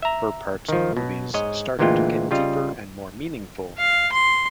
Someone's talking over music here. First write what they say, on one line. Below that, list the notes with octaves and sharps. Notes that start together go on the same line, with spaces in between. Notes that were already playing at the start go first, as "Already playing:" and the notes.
Her parts in movies started to get deeper and more meaningful.
E5 A#5
D#3 F3
B2 F#3
G#2 C#5 D#5
D2 A#2 E3 G#3 F4 G5
C#3 G3 F4 D#5
F5
C6